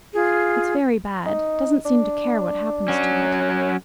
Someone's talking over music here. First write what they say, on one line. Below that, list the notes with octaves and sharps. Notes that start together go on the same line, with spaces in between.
It's very bad - doesn't seem to care what happens to it.
F4 G#4
D#4
D4
F#3 C#4